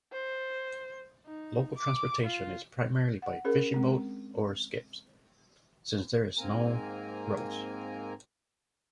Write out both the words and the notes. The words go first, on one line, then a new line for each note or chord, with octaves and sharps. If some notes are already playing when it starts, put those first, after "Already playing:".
Local transportation is primarily by fishing boats or skiffs, since there are no roads.
C5
D#4
D6
F4
F#5
C#4 G#4 A#4
G#3 C4
G#2 A#3 C4 A#4 G#5 A#5